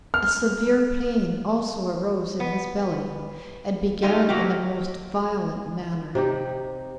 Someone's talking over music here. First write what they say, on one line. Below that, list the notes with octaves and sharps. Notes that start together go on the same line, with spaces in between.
A severe pain also arose in his belly, and began in a most violent manner.
F6
B3
G#3 A3 D#4 F4 G4
F#3 A#3 F#4 G4
C3 D#4 G4